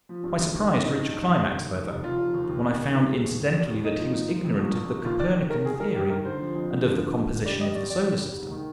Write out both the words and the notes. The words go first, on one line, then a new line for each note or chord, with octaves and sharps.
My surprise reached a climax, however, when I found incidentally that he was ignorant of the Copernican Theory and of the composition of the Solar System.
F3
G2
G2
D#3
D#3
G2 D#4
G2
G2
G2
F1
D#2
D#2
F1
F1 F4
F1
D#2
D#2
D#3
D#3
D#2
G#3
D#2
D#2
D#2
D#2
A#2 D#4
F3
A#2
F3
A#2
A#1
A#1
A#2
D#2 F4
D#3 D5
D#3
D#3 A#4
D#2 G#4
D#2 A#4
G3 G4
D#3 A#4
D3 C5
F3
F2
D3
F3
D3
D3
D3
G3 D5
G3 D#5
G#1 D5
G#1 D5
G#1
G3
G#2
D#3